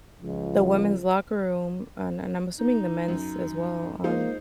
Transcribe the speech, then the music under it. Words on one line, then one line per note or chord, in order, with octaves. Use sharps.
The women's locker room, uh and I'm assuming the men's as well, um,
C#2 F3
D#4
F#2
G#3 A#3 D#4 F4 C5